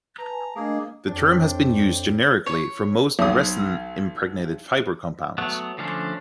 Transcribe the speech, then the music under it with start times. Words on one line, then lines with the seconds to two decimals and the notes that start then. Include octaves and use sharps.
The term has been used generically for most resin impregnated fibre compounds.
0.18 B4 A5 A#5
0.30 G#5
0.42 A5
0.56 A3 A#3 D4 G#4 D#5
1.07 F2 D4 C5 C#5 G5
2.46 C#5
3.19 B1 D#6
5.38 F#3 A3 B3
5.78 D3 F3 A3 C#4 D4